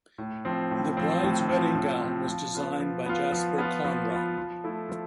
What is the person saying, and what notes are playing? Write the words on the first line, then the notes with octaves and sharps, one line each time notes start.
The bride's wedding gown was designed by Jasper Conran.
A2
F3 C4
A2
F3 C4
A2
F3 C4
A2
F3 C4
F3
B3 F4
F3
B3 F4
F3
B3 F4
F3
B3 F4
F3
A3 E4
F3